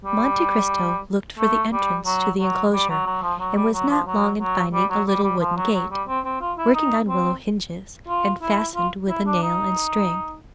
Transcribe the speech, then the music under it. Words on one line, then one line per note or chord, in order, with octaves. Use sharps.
Monte Cristo looked for the entrance to the enclosure, and was not long in finding a little wooden gate, working on willow hinges, and fastened with a nail and string.
G3
A3
G3
F#3
F#3
G3
F#3
F#3
F3
F#3
G3
F#3
F3
F#3
F#3
G3
F#3
G3
G3
F3
F#3
F#3
G3
C4
C4
F4
E4
D#4
C4
F4
E4
F4
E4
D4
D#4